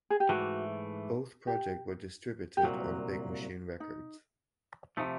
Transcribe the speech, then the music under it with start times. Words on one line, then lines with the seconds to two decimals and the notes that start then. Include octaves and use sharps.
Both projects were distributed on Big Machine Records.
0.10 G#4
0.20 G4
0.29 G#2 E3 A3 F#4
1.47 G4
2.57 G4
2.63 C2 A#2 F#3 F#4
3.80 D#4
4.97 C3 F3 A3 D#4